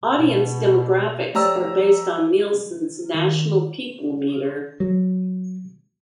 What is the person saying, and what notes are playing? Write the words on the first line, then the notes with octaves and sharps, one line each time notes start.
Audience demographics are based on Nielsen's national People Meter.
B2
F3 A3 G4 C#5 D5 A#5 E6
D#3
F#3